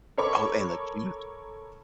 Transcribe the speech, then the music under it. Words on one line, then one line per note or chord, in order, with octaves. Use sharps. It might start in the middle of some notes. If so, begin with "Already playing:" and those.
Oh, and the cheese.
A4 A#4 C#5 B5 C#6 D6